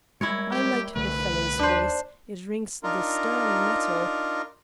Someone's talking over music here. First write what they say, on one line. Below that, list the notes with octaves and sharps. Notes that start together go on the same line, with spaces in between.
I like the fellow's voice, it rings the sterling metal....
G3 G#3 E4 A#4 C#5
G4
C2 D3 A3 B4
D#2 D4 C5
D4 D#4 F4 A#4